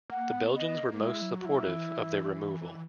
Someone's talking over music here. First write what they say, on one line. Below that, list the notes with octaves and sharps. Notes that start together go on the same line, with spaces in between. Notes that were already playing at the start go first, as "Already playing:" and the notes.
The Belgians were most supportive of their removal.
A#3 F#5
B3
B3 D#5
A#3
G#3 E4
F#3
F#4
F#3 E4
E3